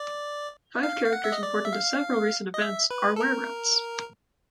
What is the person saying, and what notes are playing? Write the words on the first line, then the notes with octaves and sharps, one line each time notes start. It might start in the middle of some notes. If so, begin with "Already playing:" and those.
Five characters important to several recent events are wererats.
Already playing: D5
F5
F5
F#5
E5
D#5
D5
E5
F5
D#5
E5
B4
A4
A#4